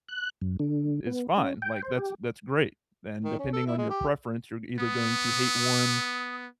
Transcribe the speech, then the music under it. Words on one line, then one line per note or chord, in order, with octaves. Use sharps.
is fine, like, that's that's great, and depending on your preference, you're either going to hate one,
F#6
F#2
D3
B3
C#4
G5
C5
G4
D#3
C#4
A4
E4
G#3
G4
B3 D#6